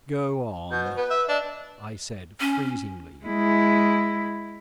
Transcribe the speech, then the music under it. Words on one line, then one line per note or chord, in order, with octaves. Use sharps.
"Go on," I said freezingly.
B2 G6
C5
B3 B4
E5
D4 D#5
C#4
G#3 E4